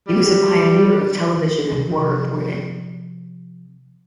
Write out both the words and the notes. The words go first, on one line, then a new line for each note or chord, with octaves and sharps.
He was a pioneer of television and war reporting.
G3
C3 F3